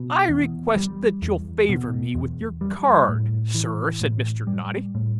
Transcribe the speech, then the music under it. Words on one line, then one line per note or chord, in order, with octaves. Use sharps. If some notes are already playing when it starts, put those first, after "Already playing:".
'I request that you'll favour me with your card, Sir,' said Mr. Noddy.
Already playing: B2
E2
G3
E2
B2
E2
G3
A2
E3
A2
G3
A2